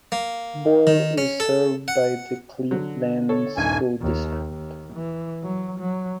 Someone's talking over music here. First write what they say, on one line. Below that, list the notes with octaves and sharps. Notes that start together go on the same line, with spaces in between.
Boyle is served by the Cleveland School District.
A#3
D#3
C#4
A4
F#5
D3 F#3
A4 C#5
D#1 G2 D#4 G#5
D#2
D#2
E3
F#3
F#3